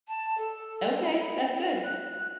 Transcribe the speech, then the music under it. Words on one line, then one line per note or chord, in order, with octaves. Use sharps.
Okay, that's good.
A5
A4
E4
F#6